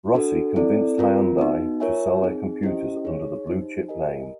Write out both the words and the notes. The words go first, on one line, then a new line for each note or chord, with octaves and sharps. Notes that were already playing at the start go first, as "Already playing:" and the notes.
Rossi convinced Hyundai to sell their computers under the Blue Chip name.
D4 F#4 A4
C4 E4 A4 D5
C4 F4 A#4
B3 D#4 F#4
F4 A#4 C#5 E5 G#5
C4 D#4 G#4
C#4 E4 G4 C5 D#5
D#4 G#4 C#5
D#4 G4 C5
G4 A#4 D#5 G#5